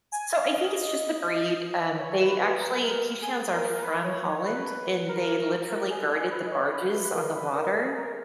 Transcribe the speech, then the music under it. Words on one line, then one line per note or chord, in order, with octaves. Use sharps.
so, I think it's just the breed, um, they actually Keeshonds are from Holland, and they literally guarded the barges on the water,
G#5
F5
D#5
C#5
B4
B4
A#4
G#4
A#4
A#4
B4
C#5
C#5
B4
A#4
A#4
G#4
G#4
B4
D#5
C#5
C#5
B4
B4
A#4
B4
A#4
G#4
A#4